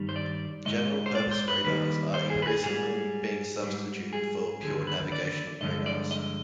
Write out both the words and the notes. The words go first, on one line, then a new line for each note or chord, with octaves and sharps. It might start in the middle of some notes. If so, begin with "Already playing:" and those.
General purpose radars are increasingly being substituted for pure navigational radars.
Already playing: G2 D#3 G3
C5
D5
G#2 D#3 G#3 D#5
C5
D5
C5
B4
D#2 D#3 G3 B4
C5
G#4
B4
G#4
G#2 G3 G#4
G#2 G3
G#4
D#2 D3 F3 G#4
B4
D5
G2 D3 F3 G#3 D#5
D5
D#5